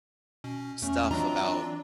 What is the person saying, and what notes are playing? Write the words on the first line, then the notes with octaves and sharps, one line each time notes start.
stuff about
B2 C#4
E2 A3 C#4
E3 F#3 C4 D4 F4 D#5 A#5